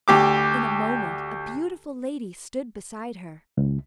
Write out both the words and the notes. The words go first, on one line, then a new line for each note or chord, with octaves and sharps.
In a moment a beautiful lady stood beside her.
D2 G4 D6
C#2